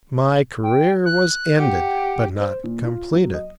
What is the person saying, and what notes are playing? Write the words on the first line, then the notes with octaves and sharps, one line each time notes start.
My career was ended, but not completed.
G5
F#6
G4 F#5
C5
A#2
F4
F#3
D#5